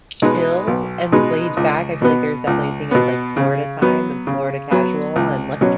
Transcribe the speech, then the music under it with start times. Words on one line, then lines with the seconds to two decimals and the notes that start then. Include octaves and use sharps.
"chill and laid back." I feel like there's definitely a thing as, like, Florida time and Florida casual and, like,
0.22 B2 G#3 D#4 B4
0.67 B1
1.12 B2 G#3 D#4 B4
1.57 C#2
2.02 B2 B3
2.47 C#2
2.91 B2 B3
3.37 C#3
3.82 F#3 B3
4.27 C#3
4.71 F#3 B3
5.16 C#2
5.61 B2 F#3 C#4